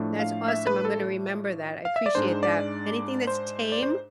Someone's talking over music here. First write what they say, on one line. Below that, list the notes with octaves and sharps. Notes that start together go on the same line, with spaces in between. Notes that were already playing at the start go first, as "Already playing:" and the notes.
That's awesome, I'm gonna remember that, I appreciate that. Anything that's tame?
Already playing: A2 F3 A3 D4
F5
E5
B4
A4
F5
E5
D5
G#2 G#3 D4 C5
D5
C5
D5
C5